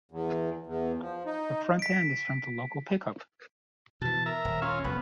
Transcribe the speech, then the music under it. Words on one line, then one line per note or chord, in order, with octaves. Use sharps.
The front end is from the local Pickup.
E2
E2
F3
D#4
B6 D7
B2 E3 A5
A#4 E5
D#1
C#4 F4
F1 F2 B3